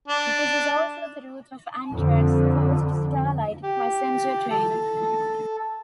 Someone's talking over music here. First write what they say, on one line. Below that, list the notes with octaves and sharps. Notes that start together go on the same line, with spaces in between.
This is also the route of Amtrak's "Coast Starlight" passenger train.
D4
F2 D3
G4
A4